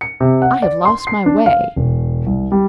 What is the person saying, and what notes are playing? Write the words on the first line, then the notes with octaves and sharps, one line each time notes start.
'I have lost my way.
C#7
C3
F#5
D5
C6
C7
D4
F5
E1
C2
G3